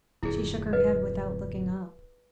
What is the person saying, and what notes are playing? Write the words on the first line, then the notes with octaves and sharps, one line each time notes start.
She shook her head without looking up.
D1 F2 E4 G#4
B4 D#5